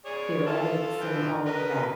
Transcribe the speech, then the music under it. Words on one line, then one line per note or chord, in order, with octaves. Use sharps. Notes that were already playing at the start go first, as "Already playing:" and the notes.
theoretics and all of that.
G#4 C#5 D5
F4 A4 A5
E3 F3 G5
A#4 B4 D#5